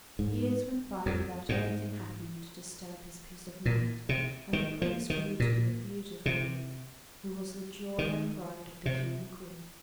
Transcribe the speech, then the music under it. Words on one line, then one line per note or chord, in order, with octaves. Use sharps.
Years went by without anything happening to disturb his peace of mind, and the Prince grew to be a beautiful youth, who was the joy and pride of the King and Queen.
G#2
F2
G#2
A#2
C3
D#3
F3
D#3
A#2
C3
D#3
C3